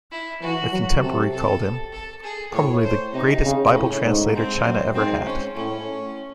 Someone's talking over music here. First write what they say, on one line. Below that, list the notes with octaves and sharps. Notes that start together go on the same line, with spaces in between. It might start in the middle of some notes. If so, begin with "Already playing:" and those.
A contemporary called him "Probably the greatest Bible translator China ever had".
E4
E3 F#4
F#3
C3 A4
A4
A4
G#4
A2 C#5
C5
C3 D#4
C#3
A2 C#4
G#2
C4
F#2
G#2 C4
C#4
A2 C#4